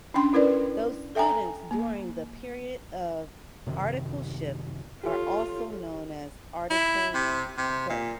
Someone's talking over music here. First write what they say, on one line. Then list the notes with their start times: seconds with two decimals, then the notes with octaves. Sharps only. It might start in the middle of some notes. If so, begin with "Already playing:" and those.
Those Students during the period of articleship are also known as Articled Clerk.
0.14 C#4 D4 G5 C6
0.33 C#4 E4 A#4 B4 D5
1.15 A4 E5 G5 G#5 A#5
1.71 A#3
3.67 F#2 C3 D#3
5.04 F4 G4 A4 C#5
6.71 E4
7.14 C3
7.57 C3
7.89 A#2